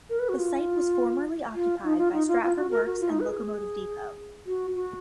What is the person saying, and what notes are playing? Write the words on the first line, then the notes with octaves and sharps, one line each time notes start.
The site was formerly occupied by Stratford Works and Locomotive Depot.
A#4
B4
F#4
F4
F4
D#4
F4
D#4
F4
F4
F#4
A#4
F#4
F4
D#4
B4
G#4
F#4
F#4